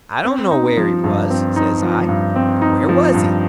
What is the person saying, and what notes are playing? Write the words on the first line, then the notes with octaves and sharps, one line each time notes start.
"I don't know where he was," says I; "where was he?"
C4
D#4
F3
G2
C4
D#4
F3
G2
C4
D#4
F3
G2